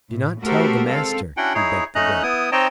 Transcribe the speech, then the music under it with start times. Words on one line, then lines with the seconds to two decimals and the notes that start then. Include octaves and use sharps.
"Do not tell the master," he begged the Goat.
0.10 A2
0.42 A3 F#4 G4 A4 A#4 C5
0.88 G#3 C4 A4 F5
1.37 C#4 D4 E4 F#4 F#5 G5
1.55 D#4 E4 G#4 C#5
1.95 A3 C#4 D#4 D#5 A#5 F#6
2.23 B3 E4 D#6
2.52 C4 D#4 C#5 D#5 G5 A5